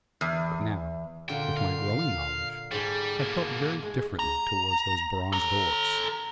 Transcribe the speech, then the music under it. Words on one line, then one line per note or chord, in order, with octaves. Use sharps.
But now, with my growing knowledge, I felt very differently towards those bronze doors.
E2
A#2 D3 F4 G5
F4 F5
G#2 G3 A4 G#5
B2 A#3
G#3
A#5
A4 A#5